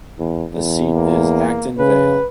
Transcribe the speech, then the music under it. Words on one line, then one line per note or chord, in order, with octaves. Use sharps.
The seat is Acton Vale.
E2
E2
A#3
C#3 B4